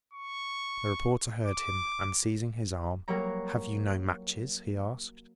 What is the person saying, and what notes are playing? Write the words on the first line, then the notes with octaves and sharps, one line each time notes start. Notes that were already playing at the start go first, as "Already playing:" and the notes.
The reporter heard him and seizing his arm, "Have you no matches?" he asked.
C#6
D6
F#3 G3 A#3 C#5 A#5